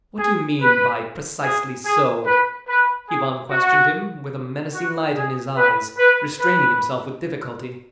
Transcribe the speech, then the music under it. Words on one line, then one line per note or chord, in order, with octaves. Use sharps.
"What do you mean by 'precisely so'?" Ivan questioned him, with a menacing light in his eyes, restraining himself with difficulty.
G#4
B4
G#4
G#4
B4
B4
G#4
F#4
F#4
G#4
B4
B4
B4